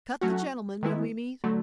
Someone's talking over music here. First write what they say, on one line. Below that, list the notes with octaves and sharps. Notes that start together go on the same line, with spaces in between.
Cut the gentleman when we meet?
F#3 A3 C#4 F#4
D#3 G#3 B3 E4
D3 F#3 A3